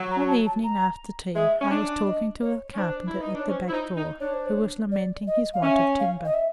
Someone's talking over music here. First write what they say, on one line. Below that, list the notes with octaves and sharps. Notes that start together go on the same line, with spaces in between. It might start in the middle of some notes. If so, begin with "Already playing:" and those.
One evening after tea I was talking to a carpenter at the back door, who was lamenting his want of timber.
Already playing: F#3
A#5
A5
A5
A#5
G#3 E5
C#4
D4
D#5
C#5
C#4
D4 C5
E4
B4
D#4
D4 C#5
C#4 C5
E4
D#4
D#4
D4 C#5
C5
C#5
D5
D#5
F5
C#4 E5
F5
D#5
E5